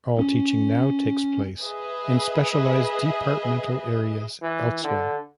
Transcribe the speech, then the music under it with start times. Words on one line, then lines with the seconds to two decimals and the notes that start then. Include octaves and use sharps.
All teaching now takes place in specialised departmental areas elsewhere.
0.19 C#4
1.62 G#4 B4 D#5 E5
4.42 E3
4.84 D3